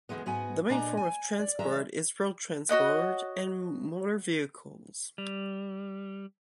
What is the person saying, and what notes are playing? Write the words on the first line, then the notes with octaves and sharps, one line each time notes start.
The main form of transport is road transport and motor vehicles.
D2 G2 E3 G#3 B3
G#2 B3 F#4 G#5
A#2 D4 D#5 G#5 A#5
G#5
D5
E3 G#3 E5 A#5
F#4 C#5 D#5 F#5
G3